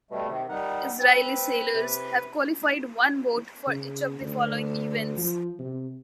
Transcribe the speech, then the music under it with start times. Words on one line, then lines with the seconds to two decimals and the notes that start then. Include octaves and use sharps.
Israeli sailors have qualified one boat for each of the following events.
0.11 B2 G3 A3
0.28 C3 D#3
0.49 G3 D#4 A#4 F#5
1.00 C4 B4
1.75 C3
3.67 C#3
4.21 D2
5.17 F3
5.59 C3